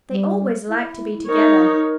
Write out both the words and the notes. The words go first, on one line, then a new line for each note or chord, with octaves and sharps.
They always like to be together!
G3
E4
D#4 A#4 C#5